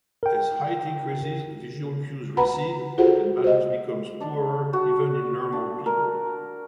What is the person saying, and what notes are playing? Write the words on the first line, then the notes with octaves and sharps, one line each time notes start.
As height increases, visual cues recede and balance becomes poorer even in normal people.
A#4 G5
B4 F#5 A#5 B5
F4 F#4 G#4 A4 C5 F#5
C5 D#5
D4
F#4
D4
A#4